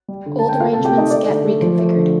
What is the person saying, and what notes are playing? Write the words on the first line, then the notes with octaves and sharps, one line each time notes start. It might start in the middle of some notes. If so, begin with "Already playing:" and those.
Old arrangements get reconfigured.
G3
D3
D3 A5
G5
A3 F4 F5
A4 A5
C3
G4 G5
A3 D#4 D#5
A3 D5
D3
A3
F3
A3
D3